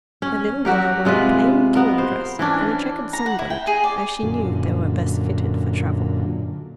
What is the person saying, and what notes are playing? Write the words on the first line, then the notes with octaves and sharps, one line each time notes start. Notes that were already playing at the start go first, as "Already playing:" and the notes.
The little girl wore a plain gingham dress and a checked sunbonnet, as she knew they were best fitted for travel.
C#4
F#3 F#4 G4 A#4
C3 G#3 F4 B4
B3 A#4
C5
E3 C#4 D4
A#5
F#5
E4
G5
G#4
D5
F#2 A#2 D3